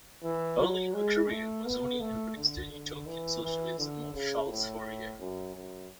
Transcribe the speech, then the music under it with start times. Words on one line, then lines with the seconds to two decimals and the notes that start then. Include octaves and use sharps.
Early in her career Mozzoni embraced the utopian socialism of Charles Fourier.
0.23 E3
0.58 F#3
0.94 G#3
1.30 A3
1.65 B3
2.00 A3
2.37 D3
2.72 D3
3.07 E3
3.43 E3
3.79 D3
4.14 C#3
4.50 A2
5.20 F#2
5.56 F#2